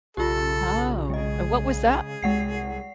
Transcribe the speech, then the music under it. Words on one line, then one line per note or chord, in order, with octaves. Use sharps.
Oh, and what was that
B1 C#3 F4 G4 A4
G#3 G#4 D#5
C2 G#3 F#5 C7